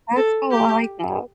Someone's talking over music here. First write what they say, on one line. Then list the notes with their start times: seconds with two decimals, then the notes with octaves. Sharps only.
That's cool, I like that.
0.16 A4
0.50 G4